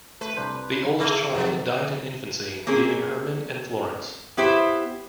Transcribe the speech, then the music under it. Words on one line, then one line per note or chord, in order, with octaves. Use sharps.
The oldest child died in infancy, leaving Herman and Florence.
A3 B4
C2 D4 C5
C#3 A3 E4 G#4
F2 C3 D#3 F#3
A#3 C4 C#4 G#4
B3 E4 G4 C5